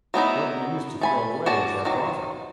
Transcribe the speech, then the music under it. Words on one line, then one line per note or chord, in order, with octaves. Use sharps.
What we used to throw away is our profit.
F#3 B3 D#4 E4
A3 G#5 B5
F#4 C#5 D5 A5
D#3 F#3